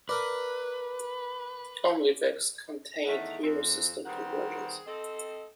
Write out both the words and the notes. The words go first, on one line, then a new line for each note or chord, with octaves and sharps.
"Omlevex" contained Hero System conversions.
A#4 B4 D5
E2 D#3 A3 D#4 G#4 F#5
F2 C4
D#3 G3 C4 G#4 B4 F#5
C4 A4 D#5